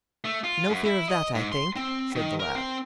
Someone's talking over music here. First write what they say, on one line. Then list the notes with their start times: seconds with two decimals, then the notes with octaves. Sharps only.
No fear of that, I think,' said the lad.
0.25 A3
0.44 F4
0.70 F#2
0.85 E4
1.08 D#5
1.35 G#2
1.52 C6
1.76 C4
2.16 D#3
2.40 A#4
2.55 C4